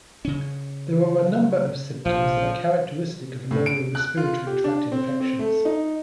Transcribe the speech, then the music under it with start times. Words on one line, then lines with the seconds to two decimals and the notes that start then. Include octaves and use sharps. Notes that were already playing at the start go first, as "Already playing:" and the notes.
There are a number of symptoms that are characteristic of lower respiratory tract infections.
0.25 C#3 C#4
2.05 A#1 F3
3.51 A2
3.66 D7
3.95 F#6
4.17 F4
4.47 G4
4.64 D4
4.92 C4
5.20 C4
5.39 A3
5.65 D#4